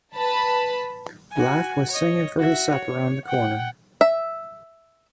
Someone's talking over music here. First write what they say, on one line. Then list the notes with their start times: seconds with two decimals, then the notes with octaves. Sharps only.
Life was singing for his supper on the corner!
0.16 B4 A5 B5
1.31 F#4 G#5
1.89 C#5 D#5
2.39 F#4 E5
2.72 C#5
3.26 F#5 G5
4.01 E5